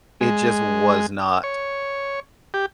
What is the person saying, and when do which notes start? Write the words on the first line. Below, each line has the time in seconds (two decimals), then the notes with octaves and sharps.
it just was not
0.21 G#3
1.44 C#5
2.54 G4